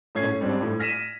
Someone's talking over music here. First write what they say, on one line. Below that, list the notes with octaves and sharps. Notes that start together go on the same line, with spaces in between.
Oh wow.
A2 C#4 G#6 C7
G3 C4 D4
A2
F6 A#6 B6 D#7 E7